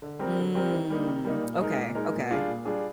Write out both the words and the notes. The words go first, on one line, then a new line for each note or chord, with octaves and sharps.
Mm. Okay, okay,
D3
G3 C4 G4 A#4
D3
G3 C4 G4 A#4
D#3
G3 A#3 D#4
D#3
G3 A#3 D#4
A#2
G#3 D#4 A#4
A#2
G#3 D#4 A#4
A#2
G3 D4 F4 G#4
A#2
G3 D4 F4 G#4